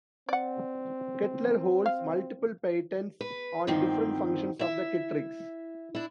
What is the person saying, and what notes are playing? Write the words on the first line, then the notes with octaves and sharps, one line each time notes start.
Kettler holds multiple patents on different functions of the Kettrikes.
C4 D5 F#5
F5
B4
E2 G2 D#3 F3 C4
E4 E5
D4 E4